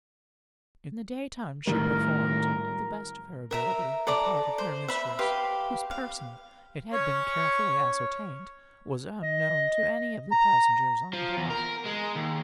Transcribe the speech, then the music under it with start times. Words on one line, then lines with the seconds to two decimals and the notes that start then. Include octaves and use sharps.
In the daytime she performed, to the best of her ability, the part of her mistress--whose person, it had been carefully ascertained, was unknown to any of the passengers on board.
1.67 A2 D#3 G3 A#4
3.51 A#4 E5 A#5
4.07 A4 D5 A#5 D6
4.58 C5
4.88 E5 B5
5.19 G4 B4 F5 C6
5.91 F5
6.92 C#4 C#5 C#6
9.23 D#5
10.31 A#5
11.13 F3
11.37 E2
11.50 A#4
11.86 G#3
12.16 D#2